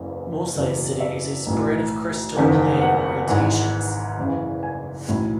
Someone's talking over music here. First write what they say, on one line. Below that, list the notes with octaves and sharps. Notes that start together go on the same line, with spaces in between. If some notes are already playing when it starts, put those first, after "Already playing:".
Mosaicity is a spread of crystal plane orientations.
Already playing: F#1 E2 C#3 E3
F#1 E2 B2
E5
B1 A2 E3
F#1 E2 D#3
F#5
G#1 G#2 E3
F#1 E2 C#3 E3
G#5
B1 A2 E3